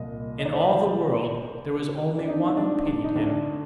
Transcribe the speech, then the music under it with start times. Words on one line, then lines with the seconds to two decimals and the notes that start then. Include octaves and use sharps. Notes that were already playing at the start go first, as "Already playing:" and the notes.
In all the world there was only one who pitied him.
Already playing: C2 A#2 D#5
0.39 D#5
0.45 D5
0.53 C5
2.18 D4
2.28 D#4
2.57 D4
2.86 D4
3.04 D#4
3.15 D2 D3 D4